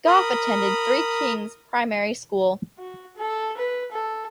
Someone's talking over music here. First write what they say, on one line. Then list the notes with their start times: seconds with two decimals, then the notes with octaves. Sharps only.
Goff attended Three Kings Primary School.
0.06 A#4 B5 D#6
2.78 F#4
3.16 A4
3.57 B4
3.92 A4